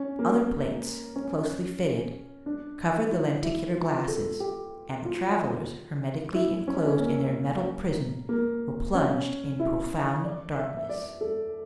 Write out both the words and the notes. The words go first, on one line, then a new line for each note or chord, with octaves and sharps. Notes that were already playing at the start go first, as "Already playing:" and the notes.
Other plates, closely fitted, covered the lenticular glasses, and the travelers, hermetically enclosed in their metal prison, were plunged in profound darkness.
Already playing: C#4
A#3
C#4
D4
E4
E4
F4
A4
G4
F4
E4
C#4
C#4
A#3
A#3
C#4
E4
D5
E5
E5
D5
A4